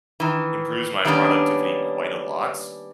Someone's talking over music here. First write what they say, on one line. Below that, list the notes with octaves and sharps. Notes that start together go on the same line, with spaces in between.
improves my productivity quite a lot,
D#3 E3
D#3 G3 A#3 B3 C#4 D4